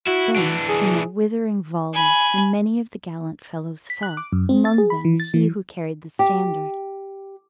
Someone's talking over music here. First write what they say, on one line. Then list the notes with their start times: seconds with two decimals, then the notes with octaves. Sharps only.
Then came a withering volley, and many of the gallant fellows fell, among them he who carried the standard.
0.07 E4 F#4
0.36 E3 D4
0.69 G#4
1.94 G#5 B5
3.90 B6
4.03 F#6
4.17 D6
4.33 F#2
4.49 C4
4.65 A6
4.78 G#4
4.90 B5
5.05 E3
5.20 A6
5.34 E3
6.19 G4